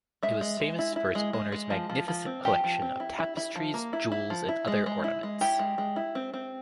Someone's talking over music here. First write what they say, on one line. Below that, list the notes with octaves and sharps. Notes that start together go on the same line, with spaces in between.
It was famous for its owner's magnificent collection of tapestries, jewels, and other ornaments.
G#3 E5
G#3
G#3
E4
E4
G#3
G#3
G#3
F3
F3
F3
C4
F3 G4
F3
C4
E4
E4
E4
F3
A#3
E4
E4
F3
E4
G#3
G#3
E4
G#3
E4 G4
G#3
G#3
E4
C4
C4